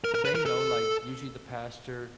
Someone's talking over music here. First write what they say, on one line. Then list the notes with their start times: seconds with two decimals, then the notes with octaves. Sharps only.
they know, like usually the pastor
0.04 A#4
0.15 A#4
0.25 B4
0.35 A#4
0.46 A4